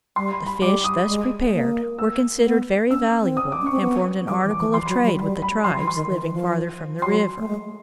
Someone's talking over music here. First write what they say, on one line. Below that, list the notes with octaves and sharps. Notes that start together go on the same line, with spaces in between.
The fish thus prepared were considered very valuable and formed an article of trade with the tribes living farther from the river.
G3 C6
B5
B5
G3 D6
D#6
G#3
A3
A#3
E6
A#3
B3
C#4 E6
C4
D#6
D6
C#4 C#6
C4
B3
G3 D6
E3
D6
E3
E3 C6
B5
F#3
B5
F#3
B5
G3 B5
B5
F#3 C6
E3
C6
D#3
E3
E3
F3
F3
F#3 C6
A3
G#3